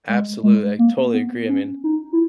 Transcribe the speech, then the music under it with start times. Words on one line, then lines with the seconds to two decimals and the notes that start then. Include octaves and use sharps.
Absolutely, I totally agree, I mean,
0.09 G#3
0.43 G#3
0.79 A#3
1.14 B3
1.49 C#4
1.84 D#4
2.13 E4